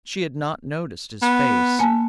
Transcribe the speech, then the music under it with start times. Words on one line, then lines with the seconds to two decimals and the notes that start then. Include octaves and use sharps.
She had not noticed his face.
1.22 B3
1.79 A#3 G#5 A5